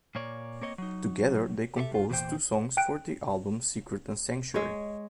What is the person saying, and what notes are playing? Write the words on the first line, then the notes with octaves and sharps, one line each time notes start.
Together they composed two songs for the album, "Secret" and "Sanctuary".
A#2 A#3 C#5 D5
A#3 C4 C#5 D#5
F#3 D#4
G4 A4 C5 E5
G2 F4
E2 A#2 E3 C5 G5
G5 F#6 D7
G#3 C#5